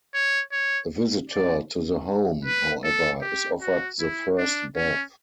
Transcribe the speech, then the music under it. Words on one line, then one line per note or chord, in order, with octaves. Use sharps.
A visitor to the home, however, is offered the first bath.
C#5
C#5
D5
B4
A4
G4
F#4
E4
D4
C#4